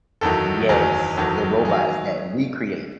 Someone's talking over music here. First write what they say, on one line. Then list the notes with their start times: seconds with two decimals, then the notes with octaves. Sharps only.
Yes, the robots that we created.
0.21 F#1 E2 D#3 F#3 A4
0.69 F#1 E2 D#3 F#3 G#4
1.17 F#1 E2 D#3 F#3 A4
1.65 D#3 F#3 G#4